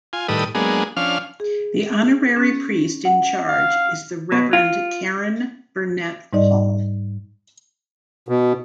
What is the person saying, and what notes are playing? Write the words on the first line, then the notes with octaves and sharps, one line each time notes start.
The honorary priest in charge is the Reverend Karen Burnett-Hall.
F4 G#5
A2 D#3 G3 A4 B4 D#6
F#3 G#3 A#3 B3 D4 G#4
F3 C#4 D4 F5 F6
G#4
C#4
F#5
F5
B2
F4
G#2 G3 D#4 D5 D#5
B2